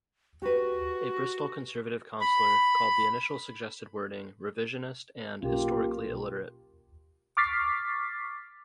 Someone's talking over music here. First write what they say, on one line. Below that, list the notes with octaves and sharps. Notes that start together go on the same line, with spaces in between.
A Bristol Conservative councillor called the initial suggested wording "revisionist" and "historically illiterate".
F#4 G4 B4
B5
B1 A#3 C#4 F4 G4
C#6 D6 F6 A6 B6 C7